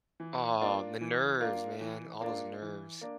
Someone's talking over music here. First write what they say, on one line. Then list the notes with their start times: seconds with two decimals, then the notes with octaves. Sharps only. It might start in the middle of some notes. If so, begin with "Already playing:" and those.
Aw, the nerves, man. All those nerves.
0.20 E3
0.61 A#3 D4 F4
1.01 E3
1.40 A#3 D4 F4
1.81 E3
2.21 A#3 D4 F4
2.62 E3
3.01 A#3 D4